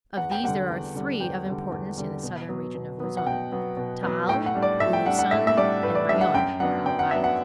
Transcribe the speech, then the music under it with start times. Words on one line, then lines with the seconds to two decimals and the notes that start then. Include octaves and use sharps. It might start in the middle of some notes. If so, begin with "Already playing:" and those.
Of these there are three of importance in the southern region of Luzon--Taal, Bulusan and Mayon or Albay.
0.17 E2 F#5
0.31 G5
0.43 D3 G3 F#5
0.69 E2
0.95 D3 G3
1.20 E2 G5
1.46 D3 G3
1.72 E2
1.98 D3 G3
2.23 B2
2.49 F#3 B3
2.75 B2
3.00 F#3 B3
3.17 F#5
3.26 B2 G5
3.52 F#3 B3
3.77 B2
4.03 F#3 B3
4.28 A2 G5
4.46 F#5
4.55 G3 D4
4.62 D5
4.80 A2 E5
4.93 G5
5.05 G3 D4 F#5
5.19 F#5
5.31 A2 E5
5.47 E5
5.57 G3 D4 D5
5.83 A2 B4
5.95 D5
6.09 G3 E5
6.13 D4
6.21 F#5
6.34 F#2 G5
6.60 F#3 B3 D4 F#5
6.86 F#2 G5
6.99 F#5
7.11 F#3 B3 D4 E5
7.24 F#5